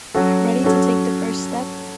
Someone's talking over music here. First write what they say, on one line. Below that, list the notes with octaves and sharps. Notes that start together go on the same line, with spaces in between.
Ready to take the first step?
F#3 C#4 F#4 A4
F#3 C#4 F#4 A4